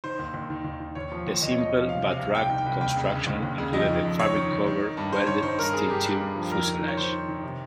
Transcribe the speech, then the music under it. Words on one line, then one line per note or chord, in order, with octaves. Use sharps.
The simple but rugged construction included a fabric-covered welded steel tube fuselage.
D#3 C5
D#2
D#2
D#3
D#2
D#3
D#2 C#5
F3
D#2
D#2 D#5
C#5
F3 D#5
F3
C3 F5
C3
F5
C2
C2 G5
D#3
G5
C2
D#2 G5
C#3
C#3
D#2
D#2
C#3
F2 D#5
D#3
F2
D#3 C#5
D#3
D#3
D#3
D#3
G2
G2 C5
D#3 C#5
D#3 C5
G2 A#4
G2 G#4
G2 G4
G2
G2
F3
F2 A#4
D#3
D#3
C#5
D#3 C5
D#3
D#3
C3